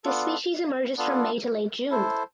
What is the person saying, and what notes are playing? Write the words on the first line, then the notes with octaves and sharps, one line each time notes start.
The species emerges from May to late June.
B3 D4 F4 A4
B3 D4 F4 A4
E4 A4 C5